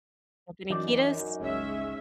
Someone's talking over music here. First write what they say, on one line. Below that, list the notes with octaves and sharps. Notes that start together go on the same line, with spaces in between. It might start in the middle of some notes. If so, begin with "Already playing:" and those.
Anthony Kiedis?
F#2 E3 D#4 D5
G1 C#2 G#3 C#4 E5